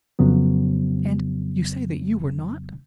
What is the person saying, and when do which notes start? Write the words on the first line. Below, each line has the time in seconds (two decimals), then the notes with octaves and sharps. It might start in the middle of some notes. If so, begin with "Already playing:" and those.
"And--you say that you were not?"
0.19 F2 C#3 F#3 B3